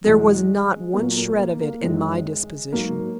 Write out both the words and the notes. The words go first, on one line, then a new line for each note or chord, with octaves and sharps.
There was not one shred of it in my disposition.
E2 B2 F#3 G#3
A#2 F#3 A#3
A#3
A#3
A#3
F#2 D#3 F#3 G#3
G#2 F#3 A#3